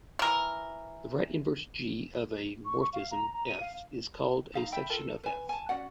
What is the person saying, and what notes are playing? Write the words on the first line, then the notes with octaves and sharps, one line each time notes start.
A right inverse "g" of a morphism "f" is called a section of "f".
E3 A#4
C#6
C#6
F5
A#5
A#5
D#7
F5
D#4 F5 A#5
E5 G5 B5
F4 A4 A#4
B4 G#5
G#5 A5
C#4 F#4 D5 F#5